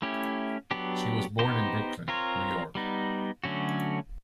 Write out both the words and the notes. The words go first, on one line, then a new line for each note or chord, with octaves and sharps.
She was born in Brooklyn, New York.
A3 C#4 E4 G4
F#3 B3 D4 G4
B3 D#4 G4 C5
C4 F4 A#4 C#5
G3 B3 D#4
D3 F#3 A3 C#4 F#4